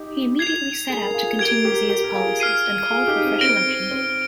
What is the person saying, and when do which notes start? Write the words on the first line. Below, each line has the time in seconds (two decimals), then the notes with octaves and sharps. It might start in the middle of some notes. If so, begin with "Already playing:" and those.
He immediately set out to continue Zia's policies and called for fresh elections.
Already playing: D#4 G4
0.39 G#6 C7 F7
0.89 G#4
1.01 A#4
1.14 F4 G#4
1.39 G4 A#4 G#6 D7 G7
1.64 G4 A#4
1.89 G4 A#4
2.04 A#4
2.14 F4 G#4
2.40 F6 C7 D#7
2.90 F4 G#4
3.08 D#4 G4
3.24 C4
3.41 C4 F6 A#6 D7 G7
3.66 C4
3.91 C4